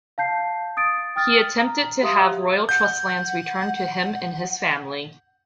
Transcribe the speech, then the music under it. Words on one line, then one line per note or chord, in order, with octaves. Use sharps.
He attempted to have royal trust lands returned to him and his family.
F5 A5 G6 C7
D#6 A6 D7
G5 D#6 F6 A6
A#5
G4 E5 F5 C6 D#6
F#5 G6